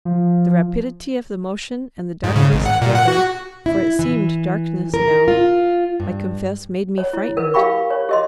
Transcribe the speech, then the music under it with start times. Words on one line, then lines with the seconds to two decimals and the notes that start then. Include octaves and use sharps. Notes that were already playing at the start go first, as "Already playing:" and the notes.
The rapidity of the motion and the darkness together--for it seemed darkness now--I confess made me frightened.
0.05 F3
2.23 G#2
2.36 C#3
2.52 G#1
2.66 F#5
2.81 A#2
2.94 F#5
3.08 F#4
3.66 E4
3.99 E3
4.94 A#4
5.28 F4
6.00 G2
6.98 C#5
7.13 E4
7.37 A#4 B4
7.54 G4 F5 G5 B5 C#6
7.90 C#5
8.09 G4 D#5 C6